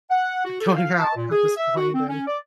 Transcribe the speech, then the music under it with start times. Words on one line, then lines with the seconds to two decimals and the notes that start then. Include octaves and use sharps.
going out at this point and"
0.10 F#5
0.45 F#4
0.60 A4
0.76 F5
0.99 A5
1.15 A#2
1.31 G#4
1.57 E5
1.77 F#4
1.93 C4
2.08 C#4
2.27 D5